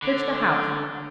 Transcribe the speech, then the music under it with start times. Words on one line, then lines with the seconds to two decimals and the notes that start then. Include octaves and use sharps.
Search the house.
0.02 D3